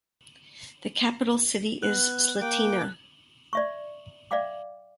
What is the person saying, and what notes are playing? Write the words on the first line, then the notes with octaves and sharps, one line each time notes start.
The capital city is Slatina.
B3 F#6
A#3 G5 D6
D5 E5 C#6
D5 E5 F5 G5 D6